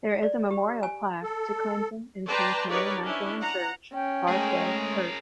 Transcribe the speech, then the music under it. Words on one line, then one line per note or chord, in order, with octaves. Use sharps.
There is a memorial plaque to Clinton in Saint Mary Magdalene Church, Barkway, Herts.
D5
G4
G#5
A4
B4 D5 G5 A5 A#5 C6
D#4 G4 A#4 B4 C#5 D5
C#4 D4 E4
F#5 A#5
C#4 G5
G#3 A3 G#4 A#4